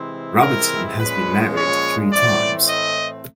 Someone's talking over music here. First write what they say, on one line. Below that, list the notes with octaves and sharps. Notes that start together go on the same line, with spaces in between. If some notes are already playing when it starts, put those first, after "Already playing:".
Robertson has been married three times.
Already playing: C3 E3 G#3 C4 E4
A#4
A#2 F3 G#3 C#4 B4
C#5
A2 E3 A3 C4 D5
D#5